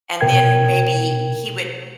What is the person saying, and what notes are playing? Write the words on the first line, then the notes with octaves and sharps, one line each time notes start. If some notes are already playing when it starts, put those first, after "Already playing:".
and then maybe he would
B2 A#4 G5 G#6